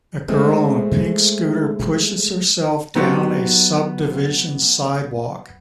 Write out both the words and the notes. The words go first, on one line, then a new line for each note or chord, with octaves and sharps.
A girl on a pink scooter pushes herself down a subdivsion sidewalk.
E3 G#3 A3 C4
F#3 B3 C4 D#4 F#4 G4